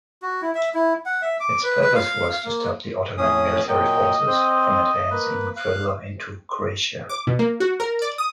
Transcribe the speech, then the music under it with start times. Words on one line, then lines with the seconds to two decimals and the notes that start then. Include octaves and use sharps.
Its purpose was to stop the Ottoman military forces from advancing further into Croatia.
0.22 F#4
0.42 E4
0.55 E5
0.74 E4
1.06 F#5
1.22 E5
1.40 D6
1.64 B4
1.81 B4
1.95 F5
2.33 F5
2.45 A#3
3.18 A2 C#4 G#4 D#6
3.68 A#2 F#3 D#5 G5
4.27 C4 C5
5.11 A#3 B4
5.57 F5 F#6
7.09 D6
7.27 B2
7.39 A#3
7.60 F#4
7.80 A#4
8.02 D5
8.18 D#6